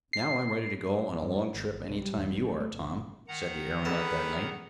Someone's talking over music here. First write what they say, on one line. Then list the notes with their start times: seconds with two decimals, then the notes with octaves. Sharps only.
"Now I'm ready to go on a long trip any time you are, Tom," said the aeronaut that night.
0.13 C7
1.22 G2
1.35 A2
1.54 G#1
1.68 G#1
1.89 C2
2.01 G3
2.17 D#2
2.30 A1
2.45 A3
2.60 A3
2.73 G1
2.92 G1
3.28 D#3 F#5 A#5
3.85 E2 A4 B4